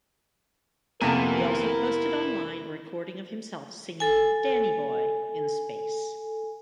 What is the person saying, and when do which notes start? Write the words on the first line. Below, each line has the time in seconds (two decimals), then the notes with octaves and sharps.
He also posted online a recording of himself singing "Danny Boy" in space.
1.01 F2 C3 A#3 B3 E4 A#4 G#5 A5
4.00 A4 G#5